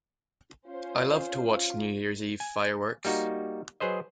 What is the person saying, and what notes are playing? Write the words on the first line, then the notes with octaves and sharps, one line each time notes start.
I love to watch New Year's Eve fireworks.
C#4 F4 C5
G#5
G3 A#3 D#4 F#4
F#3 G#4 B4 C5 D#5